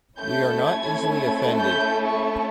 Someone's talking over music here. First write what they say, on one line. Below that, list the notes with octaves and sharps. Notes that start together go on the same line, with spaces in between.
We are not easily offended.
A3 C#4 E4 A4 G6
G#6
G#6
G6
C#6